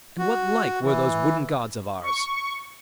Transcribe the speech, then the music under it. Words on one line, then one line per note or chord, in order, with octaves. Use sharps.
And what like were those wooden gods of ours?
F#4
E3
C#6